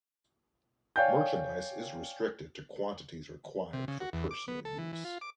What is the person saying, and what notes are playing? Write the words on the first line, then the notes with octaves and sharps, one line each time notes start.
Merchandise is restricted to quantities required for personal use.
C#5 D5 F5 G5 G#5 G6
C3
C#3
F#4
E2
D6
B3
A4
E3
E3
F4
D6